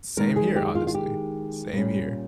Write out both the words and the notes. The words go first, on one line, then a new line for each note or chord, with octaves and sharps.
Same here, honestly, same here.
D#3 G#3 D#4 A#4
G#4
G4
F4
F4
G4
A#2 G3 A#3 C#4